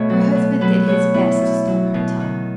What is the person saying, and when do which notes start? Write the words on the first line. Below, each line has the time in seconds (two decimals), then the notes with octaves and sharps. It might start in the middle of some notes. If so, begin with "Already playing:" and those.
Her husband did his best to stop her tongue.
Already playing: B2 A3 C#5 D#5
0.10 F#3
0.35 B2
0.61 F#3 B4
0.87 B2 C#5
1.14 B3 E4
1.41 B2
1.67 F#3
1.94 B2
2.20 D#3